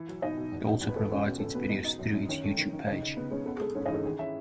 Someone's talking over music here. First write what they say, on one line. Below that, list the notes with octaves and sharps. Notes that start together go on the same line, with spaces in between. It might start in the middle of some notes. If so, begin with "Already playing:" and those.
It also provides its videos through its YouTube page.
Already playing: E3 E4
F#3
B2 D#4 D#5
B2
E2
D#4
E2
B4
E2 A4
C#2 C#4 C#5
B2
C#2 A4
B2 B3 B4
D#4
D#4
F#2
F#2
D#3 C#4 C#5
A3
D#3
D#3
C#3 D#4 D#5
C#3
C#3 B3 B4
G#3 C#4 C#5
B3 A4
G#4
G#3 A4
G#2 C#4 C#5
D#4 D#5
E3 A4
D#3 G#4
C#4 E4 E5